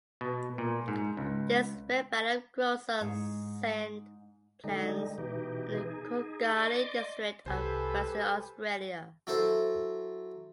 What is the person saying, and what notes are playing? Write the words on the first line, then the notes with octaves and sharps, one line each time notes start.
This phebalium grows on sandplains in the Coolgardie district of Western Australia.
B2
A#2
G#2
C#2
G#2
D3 G3 G#3 D#4
B2 E3 D#4 G4
D#4 G#4
D5 D#5 C6 D6
C2 G4 A4 B4 C5 G#5 B5
F#3 E4 A4 C5